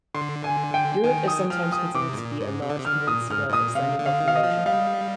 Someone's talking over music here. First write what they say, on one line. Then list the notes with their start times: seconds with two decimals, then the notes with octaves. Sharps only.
Europe is sometimes considered to be a large peninsula extending off Eurasia.
0.14 D3 C6
0.44 G#5
0.74 G5
1.04 D#3 G#5
1.28 D#6
1.50 F3 F6
1.72 D#6
1.95 C3 D6
2.13 G#2
2.18 A#2
2.40 G#2
2.62 C3
2.70 D3
2.78 C3
2.85 D3 F6
3.07 A#2 D#6
3.30 G#2 F6
3.49 G#2
3.53 A#2 D#6
3.75 C3 F5
3.99 D3
4.06 F5
4.20 D#3
4.28 F5
4.36 D#5
4.43 F3
4.66 G3 F5